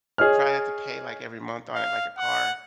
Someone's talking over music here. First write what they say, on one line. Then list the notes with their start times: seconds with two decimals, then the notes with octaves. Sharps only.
you probably have to pay like every month on it like a car,
0.18 G#4 C#5 D#5 F6
1.76 F5
2.18 F#5